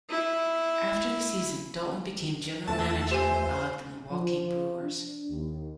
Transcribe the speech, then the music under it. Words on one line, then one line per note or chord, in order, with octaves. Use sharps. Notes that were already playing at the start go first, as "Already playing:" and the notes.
After the season, Dalton became general manager of the Milwaukee Brewers.
E4
E2 A#2 D3 E3 A3 E5 A5
G4 C5 G#5
F3
D4
D#2